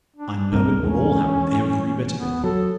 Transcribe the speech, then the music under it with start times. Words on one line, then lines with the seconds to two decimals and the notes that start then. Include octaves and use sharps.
I know it will all happen- -every bit of it.
0.16 D4
0.52 C2 G2 C4 A#4
0.82 E2 G#3 C#4
2.17 B3
2.44 F#3 A4